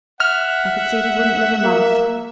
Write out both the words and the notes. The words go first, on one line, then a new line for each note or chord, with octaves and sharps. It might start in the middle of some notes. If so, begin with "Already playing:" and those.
I could see he wouldn't live a month.
E5 F#5 F6
A#3